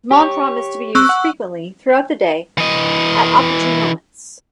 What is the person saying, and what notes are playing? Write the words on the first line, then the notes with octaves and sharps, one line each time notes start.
The mantram is to be used frequently throughout the day, at opportune moments.
G4 C#5
C4 C#6 E6 F#6
F#5
E3 D#5